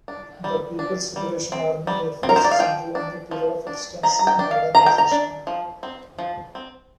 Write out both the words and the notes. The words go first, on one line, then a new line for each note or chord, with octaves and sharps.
The People's Liberation Army Air Force is undergoing a period of extensive modernization.
D4
G3
D4
G3
C4
G3
C4
A#4
C5
D5
F5
F3 G5
D4
F3
D4
F3 A#5
A#5
G5
D4
F5
F3 A#5
G5
A#5
D4
F3
C4
F3
C4